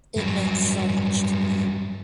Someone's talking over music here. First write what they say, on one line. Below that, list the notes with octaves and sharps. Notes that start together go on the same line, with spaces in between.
It meant so much to me.
G2 F#3